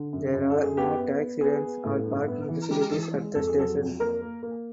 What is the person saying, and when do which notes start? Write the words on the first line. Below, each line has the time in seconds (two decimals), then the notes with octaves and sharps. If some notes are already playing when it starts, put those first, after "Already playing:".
There are no taxi ranks or parking facilities at the station.
Already playing: D3
0.13 F#2
0.34 F#2
0.50 A4
0.55 F#2
0.63 G#4
0.77 B3 G4
0.98 B3
1.20 B3
1.41 B3 G#4
1.63 B3
1.84 A2
2.06 G2
2.28 B3
2.49 E3
2.70 G#3 G4
2.92 E3
3.13 G#3
3.35 F2 A4
3.47 G#4
3.56 F#3 A4
3.78 F2
3.99 A#3 A#4
4.21 A#3
4.43 A#3